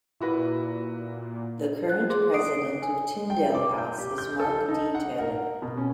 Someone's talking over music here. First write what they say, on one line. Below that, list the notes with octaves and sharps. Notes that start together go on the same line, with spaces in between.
The current president of Tyndale House is Mark D. Taylor.
A#2 E4 F#4 B4
F#6
G#4 C6 D6
D#6 C7 D7
C#5
G#5
G5
D6
G6
G4
G6
A4
D#4
F#5
A#4
B2
C#4